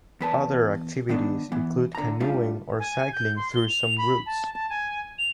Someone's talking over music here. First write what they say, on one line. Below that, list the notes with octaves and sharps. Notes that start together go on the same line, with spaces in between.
Other activities include canoeing or cycling through some routes.
E2 B4 A5
D#3 B3 D4
E3 B3
D3 A#5
G3 A3 D4 F4
G#5
G6
C6
G7
F7
B5
A5
A5
G#5
F7